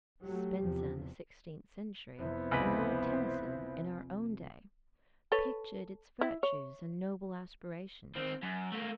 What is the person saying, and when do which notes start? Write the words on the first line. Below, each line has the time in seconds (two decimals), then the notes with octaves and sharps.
Spenser in the sixteenth century, and Lord Tennyson in our own day, pictured its virtues and noble aspirations.
0.24 F#3 A3 G4
0.60 E2 C3 F3
2.18 F1 B3 E4 C5 E5
2.51 C#2 B4 B5
5.32 A4 B4 C#5
6.21 E4
6.43 C#5
8.15 D#3 C4
8.43 F#2
8.72 A3 A#3